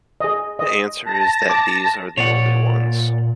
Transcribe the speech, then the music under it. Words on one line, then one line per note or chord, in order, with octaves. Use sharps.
The answer is that these are the only ones.
G#4 D#5
D#5
A5 A#6
D6
A#2 C#5 D5 F#5